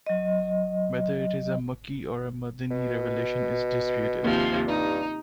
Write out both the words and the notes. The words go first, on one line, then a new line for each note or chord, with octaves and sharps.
Whether it is a Makki or a Madani revelation is disputed.
F#3 D#5
B2
D#2 C3 F3
G2 D#4